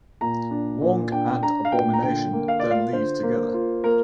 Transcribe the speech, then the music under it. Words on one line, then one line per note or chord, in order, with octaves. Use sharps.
Wong and Abomination then leave together.
A#2 A#5
D4
A#2
D4 G5
D4 A#5
F5
A#2 G5
A#5
D3 G5
A#3
F5
F4 D5
F5
D3 C5
A#3
F4
A#3 A#4